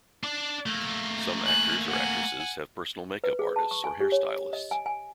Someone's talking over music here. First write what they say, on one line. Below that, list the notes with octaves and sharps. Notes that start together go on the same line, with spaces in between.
Some actors or actresses have personal makeup artists or hair stylists.
D4 D5
A3 A#3
G#5 F#6
F#5 G#5
B4
G#4
A5
C#6
G#5
G4
C#5
D#5
G#5
G#5